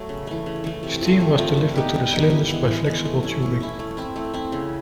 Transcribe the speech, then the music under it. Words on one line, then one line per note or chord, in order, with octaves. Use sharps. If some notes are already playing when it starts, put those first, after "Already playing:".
Steam was delivered to the cylinders via flexible tubing.
Already playing: F#3 A3
C#3
E3 A3
C#3
E3 A3
C3
F3 A3
C3
F3 A3
G3
B3 D#4 G4
G3
B3 D#4 G4
E3
G#3 B3
E3
G#3 B3
A3
C#4 E4
A3
C#4 E4
A3
C4 E4
A3
C4 E4
C#3